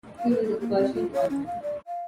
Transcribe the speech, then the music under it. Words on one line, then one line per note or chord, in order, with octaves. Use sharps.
He was of Persian origin.
F5
B4
A4
A#3
C4
F4
C#5
C#4
F5
D5
F5